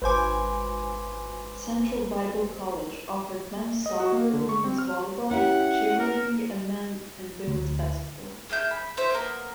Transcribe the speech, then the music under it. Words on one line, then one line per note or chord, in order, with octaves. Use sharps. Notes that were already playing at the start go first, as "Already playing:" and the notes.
Central Bible College offered men's soccer, women's volleyball, cheerleading, and men and women's basketball.
G#1 B4 C5 G#5 D6
D#5
F#4
A#3
D3
C#6
C4
F6
C#4 E4 G4 F#5
A#4
D2
A#3 G#4 E5 G6
B5
F4 C5 E5
A#3 B3 A#4